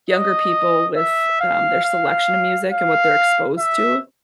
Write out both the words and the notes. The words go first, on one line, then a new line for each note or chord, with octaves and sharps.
younger people with, um, their selection of music and what they're exposed to?
D#5
E5
F5
F5
F5
E5